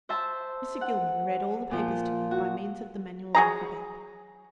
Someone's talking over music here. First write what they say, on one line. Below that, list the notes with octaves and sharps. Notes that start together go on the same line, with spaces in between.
Mr. Gilman read all the papers to me by means of the manual alphabet.
C5 E5 A5
F#5
A#2 F3
F#4
F#3 G#4 A#5